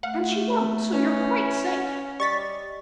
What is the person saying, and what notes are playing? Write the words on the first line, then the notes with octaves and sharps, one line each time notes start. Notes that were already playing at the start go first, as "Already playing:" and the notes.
'And she won't, so you're quite safe.'
A3 F5 F#5
E3 C#4
G3 D#5 C#6 A6 B6